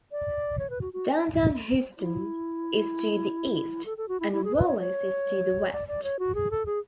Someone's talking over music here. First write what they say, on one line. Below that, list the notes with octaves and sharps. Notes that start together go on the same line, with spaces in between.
Downtown Houston is to the east, and Wallis is to the west.
D5
C#5
B4
F#4
F#4
E4
A4
A4
F#4
E4
E4
G#4
B4
C#5
C#5
D5
D5
C#5
F#4
G#4
A4
G#4